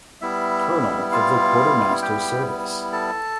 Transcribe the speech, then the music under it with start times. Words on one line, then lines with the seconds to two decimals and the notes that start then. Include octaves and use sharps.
Colonel of the quartermaster service.
0.21 G3 B3 E4 E5
1.12 F4 F5
2.02 G4 G5
2.92 A4 A5